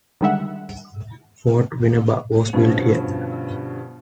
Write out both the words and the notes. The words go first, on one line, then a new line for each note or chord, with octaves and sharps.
Fort Winneba was built here.
D3 D#3 G3 G#3 E5 F#5
G2 B2 D3 F3 C#4